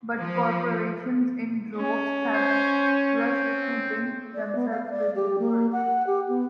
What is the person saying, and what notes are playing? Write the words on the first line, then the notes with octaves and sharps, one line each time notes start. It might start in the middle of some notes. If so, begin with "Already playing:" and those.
But corporations in droves have rushed to link themselves with "Dilbert".
F3
C#4
C5
C4
D5
B3
F5
D5
G4
A#3
F#5
G4
B3